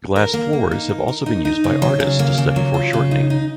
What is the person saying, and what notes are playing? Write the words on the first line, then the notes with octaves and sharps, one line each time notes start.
Glass floors have also been used by artists to study foreshortening.
A#4
A#3
A#3
D#4
A#4
A#4
D#4
D#4
C#3
F#3
C#3
A#3
C#3
F#3
F4
C#3
D#4
D#4